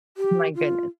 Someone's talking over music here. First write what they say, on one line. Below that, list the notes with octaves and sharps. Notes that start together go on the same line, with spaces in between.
My goodness.
G4
F4